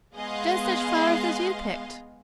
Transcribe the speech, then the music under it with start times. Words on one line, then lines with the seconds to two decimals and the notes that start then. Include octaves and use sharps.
Just such flowers as you picked.
0.15 G#3 B3 G#4 D#5 F5 C6